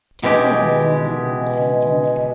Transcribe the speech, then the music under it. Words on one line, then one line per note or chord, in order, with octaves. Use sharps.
Jack Gordon was in the ballroom scene in make-up.
B2 E3 G#3 G4